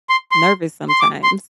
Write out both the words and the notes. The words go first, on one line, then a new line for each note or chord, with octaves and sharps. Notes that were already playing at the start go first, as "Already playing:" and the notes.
nervous sometimes.
C6
C6
C6
D6
C6